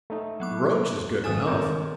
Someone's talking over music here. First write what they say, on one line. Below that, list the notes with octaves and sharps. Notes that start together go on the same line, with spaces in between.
The roach is good enough!
A3 D#4
F#3 B3 D6
G#1 G#2 A4 G#5 D#6
D#3 C4 A#4 C#5